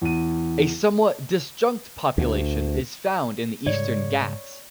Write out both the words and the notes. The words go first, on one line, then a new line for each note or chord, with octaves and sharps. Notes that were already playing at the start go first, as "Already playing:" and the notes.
A somewhat disjunct population is found in the Eastern Ghats.
E2 D#7
D2
G#2 C#3 G3 C#5 D5